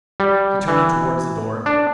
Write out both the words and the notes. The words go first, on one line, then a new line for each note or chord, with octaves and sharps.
He turned towards the door.
G3
E3
D4